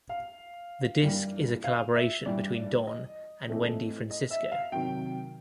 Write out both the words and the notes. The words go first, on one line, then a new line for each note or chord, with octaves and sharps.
The disk is a collaboration between Don and Wendy Francisco.
F5
G2 E3 G3 A#3
F5
E5
G2 E3 G3 D5
D#5
A2 E3 A3 C4
D#5
E5
F5
C3 D#3 F#3 G5